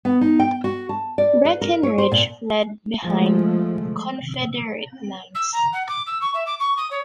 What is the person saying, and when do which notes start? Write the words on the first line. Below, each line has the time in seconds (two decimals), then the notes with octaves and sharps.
Breckinridge fled behind Confederate lines.
0.05 B3
0.21 D#4
0.39 G5
0.64 F#4
0.89 A5
1.18 D5
1.45 B4
1.61 A#4
1.83 C#5
1.98 C5
2.12 A#2
3.03 F3 G#3 A3
5.34 E6
5.52 A#5
5.72 F#5
5.88 D6
6.06 E6
6.21 C#6
6.34 E5
6.46 D6
6.59 C#6
6.77 D#6
6.91 C#5